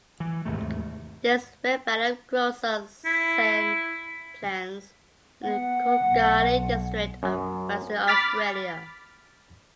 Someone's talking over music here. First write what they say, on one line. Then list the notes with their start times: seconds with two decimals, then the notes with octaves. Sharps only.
This phebalium grows on sandplains in the Coolgardie district of Western Australia.
0.20 E3
0.45 D#2 G#2 C3 A3
3.05 E4
5.43 B3 F#5
6.06 B1
7.23 F#2
8.07 B5 D6 F6 A6 B6